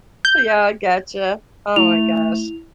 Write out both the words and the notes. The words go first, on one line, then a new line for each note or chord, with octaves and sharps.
yeah, I gotcha, oh my gosh,
G6
A3 E4 F7